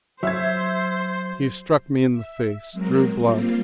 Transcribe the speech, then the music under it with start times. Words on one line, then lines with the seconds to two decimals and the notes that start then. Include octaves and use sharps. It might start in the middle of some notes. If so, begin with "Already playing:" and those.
He struck me in the face, drew blood.
0.23 F#3 C5 E5 E6 G#6
2.10 E5
2.72 F#3 G#3 C4 A#4
3.21 G3 A#3 C4 F4